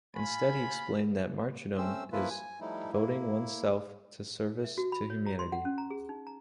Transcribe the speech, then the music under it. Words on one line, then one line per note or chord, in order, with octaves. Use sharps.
Instead, he explained that martyrdom is devoting oneself to service to humanity.
F4 G#5 B5
A3 C4 C#4 C5 E6
F3 A#3 E4 F4 B4
G#5
F3 G3 A3 D#4 E4
A#3 E4
E5
F#4
B5
C#5
A#5
C6
F#5
C#4
A#5
G#4
D#4
A#5